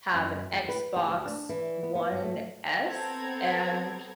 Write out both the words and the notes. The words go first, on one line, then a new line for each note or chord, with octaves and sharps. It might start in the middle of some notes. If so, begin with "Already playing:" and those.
have an Xbox One S, and
F#2
E2
B4
G4
D2
D4
E3
B3
B3
G2
A3
B3 C4 A4 A#5 G#6